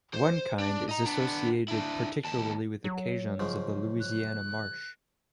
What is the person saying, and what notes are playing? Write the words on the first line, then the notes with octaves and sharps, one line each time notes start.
One kind is associated particularly with the Cajuns of the Louisiana marsh.
C5
D4
D#5 A#5
B3 D4
D4 E4
D#2 A5
F#3
G#2 C#3 F3
F#6